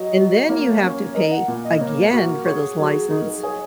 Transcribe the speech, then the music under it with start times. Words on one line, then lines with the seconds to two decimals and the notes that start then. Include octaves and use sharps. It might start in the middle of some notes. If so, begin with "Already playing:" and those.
and then you have to pay again for those license,
Already playing: F#3 D#5
0.17 F#3
0.49 A#3 C#5
0.83 C#4
1.14 A#4 D#5
1.32 F#5
1.48 A#2
1.65 D#5
1.81 A#3 C#5
2.13 F#4 A#4
2.46 G#4 C#5
2.79 F#3
3.11 D#4 G#4
3.21 A#4
3.27 G#4
3.43 G#4 C#5